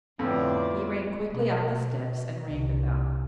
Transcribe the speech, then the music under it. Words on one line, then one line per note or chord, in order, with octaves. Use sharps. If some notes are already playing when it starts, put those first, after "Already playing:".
He ran quickly up the steps and rang the bell.
F2 A2 D3 B3 F4 D5 G5
B2
C2